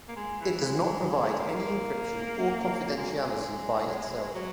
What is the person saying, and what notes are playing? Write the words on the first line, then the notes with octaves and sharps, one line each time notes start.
It does not provide any encryption or confidentiality by itself.
A#3
G#3
E3
G#3
A#3
A#3
G#3
F#3
G#3
F#3